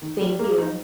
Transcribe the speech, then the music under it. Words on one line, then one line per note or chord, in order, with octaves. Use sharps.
Thank you.
D#3
G3
A#3 G#4
D#4